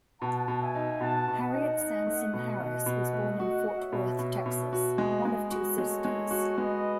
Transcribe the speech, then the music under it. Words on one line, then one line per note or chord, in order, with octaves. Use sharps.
Harriet Sansom Harris was born in Fort Worth, Texas, one of two sisters.
B2 F#5 A5
B2
E5 G#5
D#4
B2 F#5 A5
B2
D#5 F#5
D#4
D#4
A3
B2
B2
B2
A3
F#4 D#5 F#5
F#4
C#5 E5
B2
B2
B2
F#4
G#3 B4 D#5
G#3
F#4
G#3 A4 C#5
G#3
F#4
G#3 B4 D#5